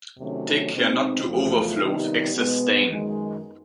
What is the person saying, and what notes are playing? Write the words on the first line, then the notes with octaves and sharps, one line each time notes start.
Take care not to overflow with excess stain.
C3 D#3 F#3 A3 C#4
B2 G#3 C4 D#4
E2 C3 F3 A3
C3 D#3 G3 B3 D#4
B2 G#3 B3
F#2 D#3 G#3